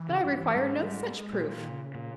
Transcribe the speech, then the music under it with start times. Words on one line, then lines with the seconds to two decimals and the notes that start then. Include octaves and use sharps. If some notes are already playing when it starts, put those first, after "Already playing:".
But I require no such proof.
Already playing: E3
0.09 C#3
0.24 G2
0.55 G#2 G3
0.71 E3
0.86 G3
1.02 G3
1.17 G#3
1.33 A#2 G3
1.42 D#3
1.48 A#2 E3
1.58 D#3
1.69 C#3
1.95 A#2